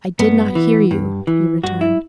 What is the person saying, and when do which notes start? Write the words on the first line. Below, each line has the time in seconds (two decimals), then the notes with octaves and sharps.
"I did not hear you," he returned.
0.19 G2 B3
0.55 E3
0.91 G2
1.27 E3
1.64 G2 F#4
1.81 E4